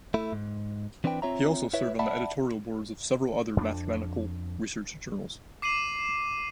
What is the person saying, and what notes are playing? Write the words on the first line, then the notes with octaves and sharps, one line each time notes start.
He also served on the editorial boards of several other mathematical research journals.
A3 E4
G#2
E3 C4 D4 B4 G5
C4 F4 C#5 E5 A#5
E4 B4 C#5 E5
D5 E5 F#5 A5 B5
F2 C#4 D4
D6 C7 D#7 E7 F#7